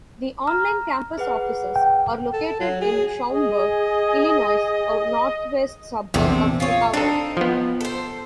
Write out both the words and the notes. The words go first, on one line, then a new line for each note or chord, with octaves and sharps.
The online campus offices are located in Schaumburg, Illinois, a northwest suburb of Chicago.
A#5 F6
G#4 B4 F#5
G5
A4
F#3
G#4
G#4 D#5
A#1 E2 C3 A3 C4
F4 G#4 C#5
C4 D4 D#4 A4
F3 B3
A4 C5